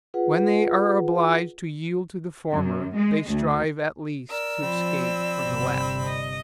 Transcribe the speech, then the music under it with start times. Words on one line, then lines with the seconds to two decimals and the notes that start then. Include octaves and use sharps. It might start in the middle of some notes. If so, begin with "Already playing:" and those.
When they are obliged to yield to the former, they strive at least to escape from the latter.
0.14 F4 G#4 B4 F#5
2.52 F#2
2.96 G#3
3.30 D2
4.31 A#4 D5 E6
4.63 F3 C4 B5
5.44 G1 C3
6.07 D#5